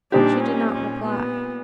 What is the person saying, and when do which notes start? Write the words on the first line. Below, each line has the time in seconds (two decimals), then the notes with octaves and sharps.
She did not reply.
0.12 A#2 G3 C4 D4 D#4 G4
0.43 C#4
0.75 C#4
1.05 B3